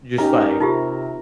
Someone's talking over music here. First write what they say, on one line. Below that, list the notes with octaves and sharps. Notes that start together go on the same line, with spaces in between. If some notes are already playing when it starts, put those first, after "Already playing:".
just, like,
C#4 D#4 G4 A#4
C3 D#4 F4 G4